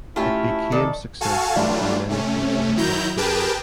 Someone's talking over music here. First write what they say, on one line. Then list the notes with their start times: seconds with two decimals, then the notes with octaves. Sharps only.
It became successful in many places across the world.
0.16 A3 C#4 E4 F4 G4
0.72 D#3 A4 D5 E5 A5
1.21 F#4 A4 F5 G#5 A5 C#6
1.55 E3 F#3 G3 A3 D4 F4
2.09 C3 A3 C#4
2.76 D#3 F#3 E4 A#5 G6
3.17 G4 G#4 A#4 B4 G5 A5